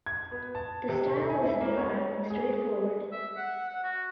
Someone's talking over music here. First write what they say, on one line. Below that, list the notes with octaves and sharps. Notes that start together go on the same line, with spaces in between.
The style was virile and straightforward.
G#6
B3
A5
C3
A4
G#5
E4
A#3
C#5
G#4
E5
F#5
F#5
F#4